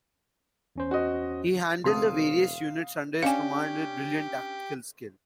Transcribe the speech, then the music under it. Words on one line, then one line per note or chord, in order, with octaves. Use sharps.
He handled the various units under his command with brilliant tactical skill.
E2 C#4 C5
F#4 D#5
E1 C#3 C4 A4 F5 C6 D#6
C#4 D4 G4 F5 G#5